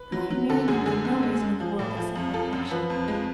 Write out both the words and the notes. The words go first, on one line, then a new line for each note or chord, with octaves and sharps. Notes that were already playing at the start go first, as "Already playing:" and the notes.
But I am marrying him for no reason in the world except affection.
Already playing: B4
F#3
F#3
D3 A4
F#2 G#4
D3 G#4
F#2
G#3
G#3
F3
A2
F3
F2
F3 A4
F#2
F3 B4
F2
G#3